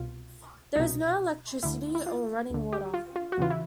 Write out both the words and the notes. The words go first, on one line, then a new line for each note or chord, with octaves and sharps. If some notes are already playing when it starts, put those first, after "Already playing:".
There is no electricity or running water.
Already playing: C2 B2 F4
C2 B2 D#4
D2 D3 E4
E4
F4
D2 D3
G4
F4
F4
F#4
E2 C#3 E3 F4
E4